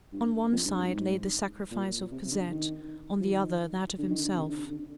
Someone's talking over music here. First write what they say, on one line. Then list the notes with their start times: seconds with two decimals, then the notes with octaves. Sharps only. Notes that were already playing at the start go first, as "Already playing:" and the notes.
On one side lay the sacrifice of Cosette, on the other that of himself.
0.13 G2
0.52 F2
0.65 G2
0.79 G2
0.92 G#2
1.71 A#2
2.11 C3
2.25 C3
2.31 D3
2.51 D#3
3.20 F3
3.31 D#3
3.99 D3
4.10 D#3
4.24 D3
4.36 C3
4.50 D3
4.70 D3